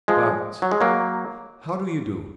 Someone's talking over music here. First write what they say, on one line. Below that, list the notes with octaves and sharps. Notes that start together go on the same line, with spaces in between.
But how do you do?
F3 G#3
F#3
G#3
F#3 A#3